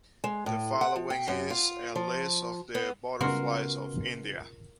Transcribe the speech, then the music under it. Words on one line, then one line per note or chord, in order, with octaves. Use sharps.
The following is a list of the butterflies of India.
G#3
A2
F#5
F3
G5
F#2
F4
F3
B3
C#2 C#3 B3 F#4 A#4 C6